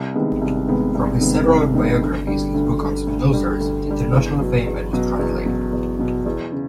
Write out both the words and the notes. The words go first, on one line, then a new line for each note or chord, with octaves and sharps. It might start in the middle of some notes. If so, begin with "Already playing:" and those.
From his several biographies, his book on Spinoza received international fame, and was translated.
Already playing: C2
C3 D#3 G#3 B3
C2
C3 D#3 G#3 B3
C2
C3 D#3 G#3 B3
C2
C3 D#3 G#3 B3
D2
D3 G3
D2
D3 G3
D2
D3 G3
D2
D3 G3
E2
B2 F#3
E2
B2 F#3
E2
B2 F#3
E2
B2 F#3
E2
C#3